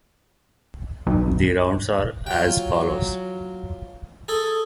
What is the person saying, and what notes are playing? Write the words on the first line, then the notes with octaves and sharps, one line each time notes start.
The rounds are as follows.
B1
F#3 F4 G5
G#4 A4